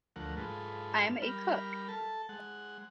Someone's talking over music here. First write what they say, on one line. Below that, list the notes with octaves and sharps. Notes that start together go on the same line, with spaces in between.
I’m a cook.
D2 F3 A3 A#4 F#5
G#2 G#3 F4 A4 B4
G3 A#4 B5 F6
A4 A5
G#3 F#5